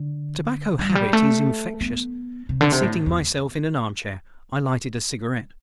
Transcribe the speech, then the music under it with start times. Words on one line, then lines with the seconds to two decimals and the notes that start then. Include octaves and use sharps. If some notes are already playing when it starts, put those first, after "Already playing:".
The tobacco habit is infectious, and, seating myself in an arm-chair, I lighted a cigarette.
Already playing: D3
0.79 G3
0.89 F#3
0.95 G3
1.13 A3
1.81 B3
2.49 C3
2.61 D3
2.72 C3
2.83 A2
3.06 E2